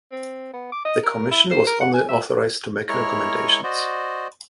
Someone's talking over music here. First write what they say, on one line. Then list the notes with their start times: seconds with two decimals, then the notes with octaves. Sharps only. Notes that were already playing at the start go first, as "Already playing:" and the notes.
The Commission was only authorized to make recommendations.
0.12 C4
0.54 B3
0.72 D6
0.85 D#5
1.04 A#4
1.31 E4
1.51 C5
1.67 A#4
1.81 F#5
1.94 G#5
2.09 E5
2.89 G#3 E4 A#4 C#5 C#6 F6
3.64 F#4 C5 D5 D#5